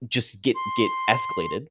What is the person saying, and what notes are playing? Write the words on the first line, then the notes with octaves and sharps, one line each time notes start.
just get get escalated,
C6